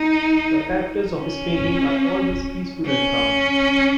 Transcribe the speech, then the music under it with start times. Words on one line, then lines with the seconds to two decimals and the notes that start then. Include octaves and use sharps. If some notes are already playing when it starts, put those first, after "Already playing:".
The characters of his paintings are always peaceful and calm.
Already playing: D#4
1.17 C#4
2.86 C#4